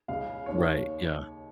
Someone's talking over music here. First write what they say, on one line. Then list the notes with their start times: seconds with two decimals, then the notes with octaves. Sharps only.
Right, yeah.
0.08 C#2 C#3 F5
0.46 D#2 D#3 C#5